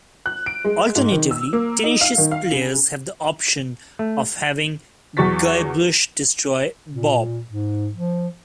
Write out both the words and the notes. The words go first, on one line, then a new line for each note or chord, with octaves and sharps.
Alternatively, tenacious players have the option of having Guybrush destroy Bob.
F#6
D7
G#3
G#2
D#3
E6
A#3
D#4
F5
D#3
F5
C#3
A3
E2 F#3 C#6 A6 B6
A#2
G#2
F3